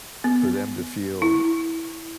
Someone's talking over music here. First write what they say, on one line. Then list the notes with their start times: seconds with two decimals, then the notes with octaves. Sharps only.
for them to feel,
0.24 B3
1.22 E4